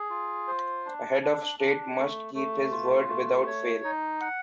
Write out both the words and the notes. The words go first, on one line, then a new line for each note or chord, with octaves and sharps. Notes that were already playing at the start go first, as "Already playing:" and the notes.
A head of state must keep his word without fail.
Already playing: G#4
F4
C5
D4
D4
D4
A3
A3
F4
A3
C#5
D#4
F#5